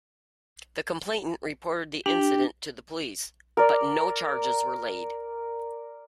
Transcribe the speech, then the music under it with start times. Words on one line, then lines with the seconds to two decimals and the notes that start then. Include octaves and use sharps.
The complainant reported the incident to the police, but no charges were laid.
2.06 D4 G4
3.57 A#4 D5